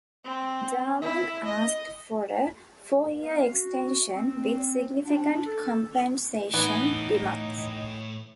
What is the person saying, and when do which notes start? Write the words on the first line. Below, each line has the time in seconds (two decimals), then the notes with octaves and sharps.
Dallman asked for a four-year extension with significant compensation demands.
0.25 C4
1.02 E4
1.46 D#5
3.23 F5
3.53 F#4
4.15 C4
5.06 D4
5.46 A4
6.54 A2 E3 B3 D#4